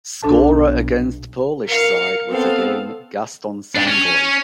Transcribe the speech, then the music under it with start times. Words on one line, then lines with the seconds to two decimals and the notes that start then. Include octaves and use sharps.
Scorer against Polish side was again Gaston Sangoy.
0.23 B1 D4 A4 A5
1.68 A#4 F5 C#7
2.30 B3 C4 A4 F5
3.75 D4 G4
3.87 C#4